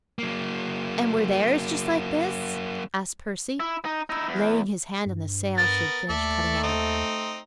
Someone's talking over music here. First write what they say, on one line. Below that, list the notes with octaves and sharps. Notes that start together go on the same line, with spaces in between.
"And were theirs just like this?" asked Percy, laying his hand on the sail she had finished cutting out.
F#3 A#3
E4
D#4
D#4 E4
E2
G2
B3 A#4 A6
D#2 A3 A4 D5 E5
C4 D#4